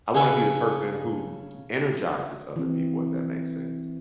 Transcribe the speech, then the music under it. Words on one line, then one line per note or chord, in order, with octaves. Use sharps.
I wanna be the person who energizes other people, if that makes sense.
C#3 C#4 G#4 A4 B4
E3 C4